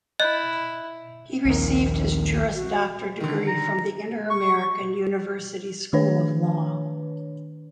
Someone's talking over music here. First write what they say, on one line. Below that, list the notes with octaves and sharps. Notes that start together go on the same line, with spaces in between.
He received his Juris Doctor degree from the Interamerican University School of Law.
E4 D#5 F#6 G6
A#1 D#2 D#3
F#4
D3 D#3
A#5
C#6
D#3 D4 B4 C#5